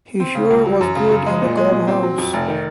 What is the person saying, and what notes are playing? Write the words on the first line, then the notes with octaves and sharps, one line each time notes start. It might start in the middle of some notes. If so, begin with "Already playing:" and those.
He sure was good in the clubhouse.
C4
C#3
C#2
F#3
F#2
C#3
F#2
G#3
A#2
G#3
A#2
C4
F#3
F2
F1
D#3